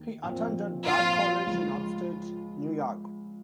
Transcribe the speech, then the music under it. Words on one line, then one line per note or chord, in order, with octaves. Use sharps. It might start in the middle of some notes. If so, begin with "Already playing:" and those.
He attended Bard College in upstate New York.
Already playing: D#2 D#3
A#2 F3 C4
A#2 F3 C4 F4
C#2 C#3 F3